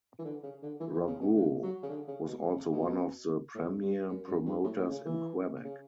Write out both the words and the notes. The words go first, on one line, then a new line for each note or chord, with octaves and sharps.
Rougeau was also one of the premier promoters in Quebec.
E3
D3
C#3
D3
E3
E3
C#3
B2
D3
F#3
C#3
D3
C#3
B2
C#3
B2
A2
G2
F#2
F#2
G2
A2
A2
C#3
E3
C#3